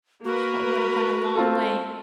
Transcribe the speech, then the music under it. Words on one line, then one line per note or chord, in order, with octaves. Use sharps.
That would've went a long way.
A#3 F#4 A#4 B4
C4 F4 A4